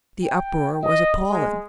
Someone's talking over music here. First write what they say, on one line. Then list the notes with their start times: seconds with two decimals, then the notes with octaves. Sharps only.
The uproar was appalling.
0.23 G5
0.83 D#5
1.30 G#3